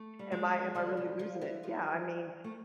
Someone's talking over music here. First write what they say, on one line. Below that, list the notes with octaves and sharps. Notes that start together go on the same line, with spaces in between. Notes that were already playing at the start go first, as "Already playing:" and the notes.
Am I am I really losing it? Yeah, I mean,
Already playing: A3
G3
G#3
D3 G3 D4
C#3 C#4
F3 F4
E3 E4
F3 F4
A3